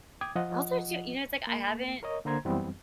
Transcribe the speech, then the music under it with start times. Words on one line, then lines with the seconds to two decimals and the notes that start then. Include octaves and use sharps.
Also, too you know, it's like I haven't
0.21 G5 D6 D#6 G#6
0.35 F3 F4 D#5 F#5
1.47 A#3
2.03 A#4 C#5 D#5
2.25 D3 A#3 C5 A#5 C6 G#6
2.45 F#2 E3 G3 B3 C4